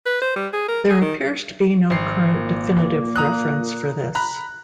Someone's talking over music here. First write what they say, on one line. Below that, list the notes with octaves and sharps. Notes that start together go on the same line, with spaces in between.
There appears to be no current definitive reference for this.
B4
C5
G3
G#4
A#4
G#4
D#3
G#1 C7
A#2 A#3
A#5 D#6 F#6
A#5 B5 F#6